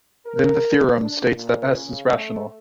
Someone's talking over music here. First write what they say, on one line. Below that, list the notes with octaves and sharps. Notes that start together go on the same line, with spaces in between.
Then the theorem states that "S" is rational.
A#4
D4
A#2
C#3
A3